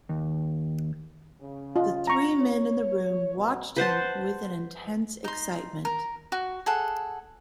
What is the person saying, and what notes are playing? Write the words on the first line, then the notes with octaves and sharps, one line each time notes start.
The three men in the room watched him with an intense excitement.
D#2
C#3
F4 D#5
A#5 C#6
C#5
B2
B4 C5 F#5 A5
D#4 C6
A#4
F#4
G#4 A4 F#5